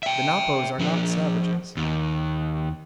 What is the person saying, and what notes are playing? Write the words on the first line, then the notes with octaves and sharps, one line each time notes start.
The Napos are not savages.
E5 G5
F3 D4
D#2